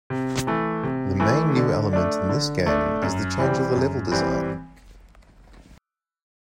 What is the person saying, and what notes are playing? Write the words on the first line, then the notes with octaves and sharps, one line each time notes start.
The main new element in this game is the change of the level design.
C3
E3 A3
C3
E3 A3
D3
A3 D4
D3
A3 D4
F#2
E3 G3 C4
F#2
E3 G3 C4